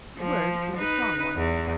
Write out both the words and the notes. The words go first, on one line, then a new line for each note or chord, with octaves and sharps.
The word is a strong one.
F3
D#4 B4
E2